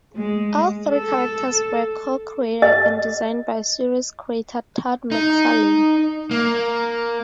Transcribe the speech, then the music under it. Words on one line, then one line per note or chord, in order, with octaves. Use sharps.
All three characters were co-created and designed by series creator Todd McFarlane.
G#3
A4
D#5
D#4
A#3